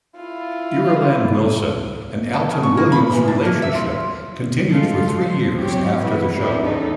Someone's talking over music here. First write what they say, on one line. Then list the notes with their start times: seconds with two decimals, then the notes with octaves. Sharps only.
Irulan Wilson and Alton Williams' relationship continued for three years after the show.
0.16 E4 F4
2.34 A4
2.51 C#3
2.63 C#6
2.77 A#3
2.92 B5
3.12 E3
3.28 D4
3.45 A#3
3.62 E5
3.75 F4
4.67 A2 G#3 F4 A4
5.18 C5
5.57 F#3 C4 G4 C#5
5.99 E3 B3 E4 B4
6.32 C4 D4 E4 G4
6.63 E2 C#3 B3 C#4 D#4 A4